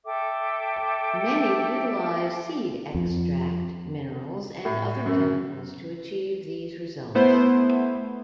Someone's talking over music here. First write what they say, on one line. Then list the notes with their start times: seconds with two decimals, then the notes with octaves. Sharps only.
Many utilize seed extract, minerals, and other chemicals to achieve these results.
0.05 A4 E5 G5 D6
2.95 F2
4.65 A2
5.06 F#2
7.15 A3 B3 E4 C5